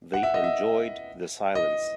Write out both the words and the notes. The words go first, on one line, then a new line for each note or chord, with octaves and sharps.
They enjoyed the silence.
F#5
E5
D#5
E5
D#5